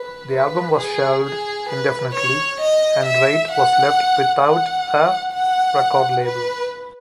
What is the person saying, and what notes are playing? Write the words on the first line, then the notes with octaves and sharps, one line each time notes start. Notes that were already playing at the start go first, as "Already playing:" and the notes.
The album was shelved indefinitely, and Raitt was left without a record label.
Already playing: B4
B4
G#4
G#4
B4
C#5
D#5
E5
F#5
F#5
F#5
B4